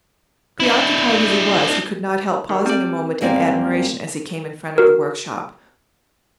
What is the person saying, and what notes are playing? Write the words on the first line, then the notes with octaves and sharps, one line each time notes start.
Preoccupied as he was, he could not help pausing a moment in admiration as he came in front of the workshop.
D4 E4
D#3
G3 C4 D5
F#2 G3 A#3 C4 D5
F#4 A#4